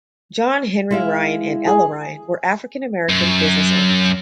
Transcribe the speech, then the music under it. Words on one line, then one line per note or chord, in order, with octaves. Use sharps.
John Henry Ryan and Ella Ryan were African American business owners.
G#3 E4 F5
G#4
F#2